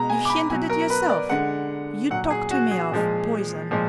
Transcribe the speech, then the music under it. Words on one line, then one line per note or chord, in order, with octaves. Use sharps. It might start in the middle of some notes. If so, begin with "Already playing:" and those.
You hinted it yourself; you talked to me of poison....
Already playing: B2 G#3 A#5
G#5
D6
B5
B2 F#3 G#5
A#4
B4
D5
D3 G#3 F#5
A#2 F#3 F#5
G#4
F#4
G#4
A#2 F3 G#3
A#2 F3 G#3